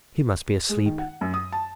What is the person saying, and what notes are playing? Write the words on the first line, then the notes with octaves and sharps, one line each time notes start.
He must be asleep.
G#3
D#3
F#5
F#2
D#6
A5